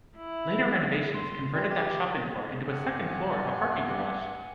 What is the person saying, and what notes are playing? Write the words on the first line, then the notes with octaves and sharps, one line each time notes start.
Later renovations converted that shopping floor into a second floor of parking garage.
E4
C6
G3
G4
G2 F#5 G#5